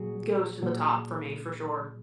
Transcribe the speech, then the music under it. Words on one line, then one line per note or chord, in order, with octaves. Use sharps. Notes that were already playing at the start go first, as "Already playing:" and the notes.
goes to the top for me, for sure.
Already playing: A#2 F#3 F#4 G#4
A#2 F#3